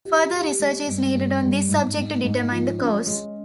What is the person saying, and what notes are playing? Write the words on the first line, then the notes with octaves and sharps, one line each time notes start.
Further research is needed on this subject to determine the cause.
G4
G4
G#3
G2
G2
G2
G#2
G#2
G#2
F3
C#4
G#3